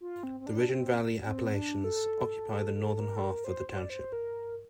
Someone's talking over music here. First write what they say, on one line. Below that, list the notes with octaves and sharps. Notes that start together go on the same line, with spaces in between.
The Ridge-and-Valley Appalachians occupy the northern half of the township.
F4
C4
C4
D4
C4
C4
D4
A4
A4
A#4
A4
A#4
C5
C5
D5
C5
A#4